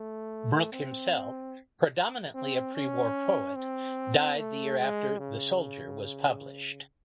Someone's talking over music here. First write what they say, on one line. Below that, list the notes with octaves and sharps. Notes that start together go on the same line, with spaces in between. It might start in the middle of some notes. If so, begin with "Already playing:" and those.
Brooke himself, predominantly a prewar poet, died the year after "The Soldier" was published.
Already playing: A3
C4
C4
C#4
C4
A3
G#3
C#3